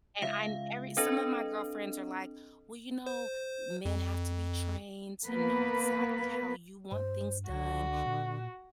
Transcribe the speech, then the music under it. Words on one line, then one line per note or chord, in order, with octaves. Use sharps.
and I every some of my girlfriends are, like, "Well, you know, men have to be trained to know exactly how you want things done."
C#2 E5 F5
C4 D4 A4 B4 D#5
C5
F2
A#3 B3 B4
G2 C5
C#2 D3 F#4
A#2